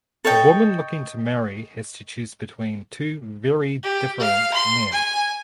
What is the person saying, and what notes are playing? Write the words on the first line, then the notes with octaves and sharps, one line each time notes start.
A woman looking to marry has to choose between two very different men.
A4 C#5 D#5 G5
G4
F5
C6
G#5